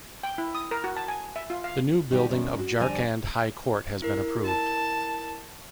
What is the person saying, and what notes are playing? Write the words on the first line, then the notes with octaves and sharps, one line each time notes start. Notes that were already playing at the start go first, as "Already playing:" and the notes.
The new building of Jharkhand High Court has been approved.
G5
E4
D#6
A#4
F#4
A5
G#5
E5
F4
F5
D#3 G3 D#4 G4
F#2 D#3
F#4
F2 D3 G3 D4 G#5 A#5
E4 A#4
A5